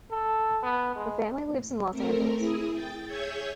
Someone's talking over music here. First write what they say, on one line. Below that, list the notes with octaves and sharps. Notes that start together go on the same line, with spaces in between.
The family lives in Los Angeles.
A4
B3
G#3
A3 C4 A#4
E4 G#4 D#6
G5 A6
G#4 C#5 E5 C#6 G6 G#6